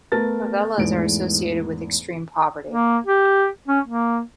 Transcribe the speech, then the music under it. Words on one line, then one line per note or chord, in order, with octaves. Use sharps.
Favelas are associated with extreme poverty.
A3 B3 A#4 A5 A6
E2 G#2 A3 B3 D7
A#3
G4
C#4
A#3